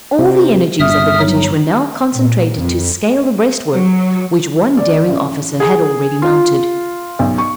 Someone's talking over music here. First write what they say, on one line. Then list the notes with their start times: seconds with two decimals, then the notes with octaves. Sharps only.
All the energies of the British were now concentrated to scale the breastwork, which one daring officer had already mounted.
0.19 C3
0.80 G1 E5 D#6 F6
1.20 F#3 D#4
2.12 A#2
2.57 F2
3.72 F#3
4.77 D5
5.09 A1
5.60 G#4
6.22 F4
7.19 B1
7.38 C#6